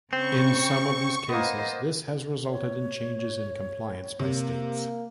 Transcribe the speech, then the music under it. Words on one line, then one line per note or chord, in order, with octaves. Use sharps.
In some of these cases, this has resulted in changes in compliance by states.
C#3 C4 C#6
A#3 B3 C5 D#5
C#5
C3 A#3